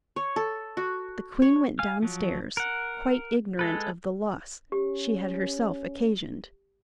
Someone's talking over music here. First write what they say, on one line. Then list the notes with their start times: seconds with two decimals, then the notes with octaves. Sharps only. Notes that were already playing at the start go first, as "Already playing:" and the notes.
The queen went down-stairs, quite ignorant of the loss she had herself occasioned.
0.16 C#5
0.36 A4
0.77 F#4
1.42 C#5
1.79 F5 G#5 F6
2.02 F3 F#3
2.57 A#4 F#5
3.59 G#3 A4 B4
4.72 C#4 G4